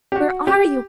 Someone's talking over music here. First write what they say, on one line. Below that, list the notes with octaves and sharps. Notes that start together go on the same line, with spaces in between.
Where are you?
G4
F#4
G4